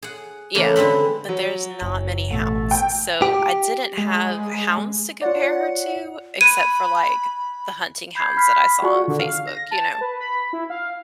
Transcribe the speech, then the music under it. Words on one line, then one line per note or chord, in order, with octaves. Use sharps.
Yeah, but there's not many hounds, so I didn't have hounds to compare her to, except for like the hunting hounds that I saw on Facebook, you know,
G#4 F#5
C#3 E3 F#3 A3 A#3
D3 G#3 B3 C4 B5
F#3
F#1
A1 B2 A3
G5
G4
G#3
F4 C#5 D5 F#5
B5 F#6 G#6 D#7
B5 G6 G#6 C7
B5 F6 B6
F4 F#4 G#4 D5 F#5 C#6
D3
F5
A#6
A5
B4
B5
E4
F5